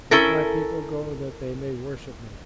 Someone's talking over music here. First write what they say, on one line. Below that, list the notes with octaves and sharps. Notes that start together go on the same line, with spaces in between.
Let my people go that they may worship me.
C#4 E4 A4 A#4